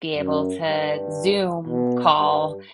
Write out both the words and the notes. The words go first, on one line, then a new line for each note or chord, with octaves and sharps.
be able to Zoom call,
F#2
G2
B2
G2